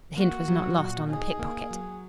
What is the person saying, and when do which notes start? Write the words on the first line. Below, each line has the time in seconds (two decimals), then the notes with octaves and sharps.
The hint was not lost on the pick-pocket.
0.17 A#3 F#4
0.48 F#3
0.78 A#2
1.09 D#4 G#4
1.39 A#3
1.71 F#3